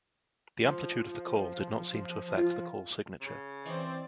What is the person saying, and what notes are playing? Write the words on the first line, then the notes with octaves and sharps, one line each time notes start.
The amplitude of the call did not seem to affect the call signature.
F3
F4
C#3
E3 C4 C#4 C5 D5 D#5